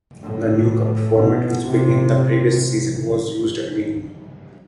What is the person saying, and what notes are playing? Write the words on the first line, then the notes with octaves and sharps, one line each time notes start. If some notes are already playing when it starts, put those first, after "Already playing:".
The new cup format which began the previous season was used again.
A2
B2
C3